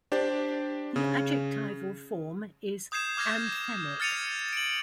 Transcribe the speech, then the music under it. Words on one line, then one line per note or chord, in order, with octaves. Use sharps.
The adjectival form is "anthemic".
D4 G4 C5 D5
C#3
D#6 G6 G#6 C7 E7
D6 F6 G#6 A#6 C7
F6 A6 C#7 D#7 F7
D7 F#7